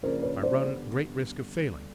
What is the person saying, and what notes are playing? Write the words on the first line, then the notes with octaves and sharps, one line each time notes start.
I run great risk of failing.
C#3 F3 A#3 D4 A#4 C5
B4 C#5
C5 D5
G2 D3 G3 B3